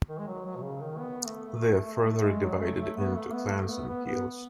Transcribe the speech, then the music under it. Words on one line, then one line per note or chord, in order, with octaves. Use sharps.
They are further divided into clans or khels.
D#3
G#3
F#3
F#3
B2
C#3
D#3
B3
A3
G#3
A3
G#3
F#3
A3
A3
B3
A3
B3
A3
B3
B3
B3